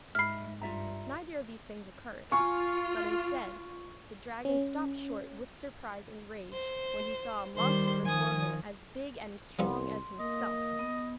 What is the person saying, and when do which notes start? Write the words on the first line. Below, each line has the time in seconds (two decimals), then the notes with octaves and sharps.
Neither of these things occurred, but, instead, the dragon stopped short with surprise and rage when he saw a monster before him as big and strong as himself.
0.15 G#2 E5 B5 F6 C7
0.61 G2 F4 E5 A#5
2.31 F4 G#5 C#6
4.45 C#4
6.52 C5
7.56 D#3 G3 C5 C6
8.05 D#3 F3 G#5 D#6
9.59 C2 F3 G3 A4 C6
10.20 A#3 D#5
10.79 B3